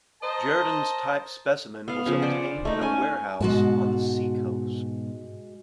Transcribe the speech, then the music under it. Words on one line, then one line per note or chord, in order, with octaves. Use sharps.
Jerdon's type specimen was obtained in a warehouse on the seacoast.
A#4 C5 D#5 A5 A#5
B3 F5
C#3 F3
C5 D5 F#5
A3 D#4
C#4 G#5
G#2 B2 G#3 F#4 A5